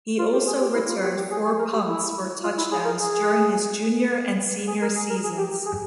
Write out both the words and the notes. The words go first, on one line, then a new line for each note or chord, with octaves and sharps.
He also returned four punts for touchdowns during his junior and senior seasons.
F4
G4
G#4
G4
E4
F4
G4
G4
G#4
G#4
A#4
G4
E4
F4
E4
G#4
A#4
G#4
G#4
A#4
G#4
A#4
G#4
G4
G4
G#4